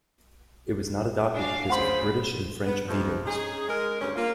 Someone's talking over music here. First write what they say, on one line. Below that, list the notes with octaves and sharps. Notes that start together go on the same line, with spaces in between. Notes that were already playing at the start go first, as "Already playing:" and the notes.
It was not adopted because of British and French vetoes.
D4 F#4 F5 G#5
D2 C#3 C5 F#5 B5 C6
B3
F2 C3
C#4 D#4 G#4
G#3 A#4
D2 G2 C#4
A#3 F4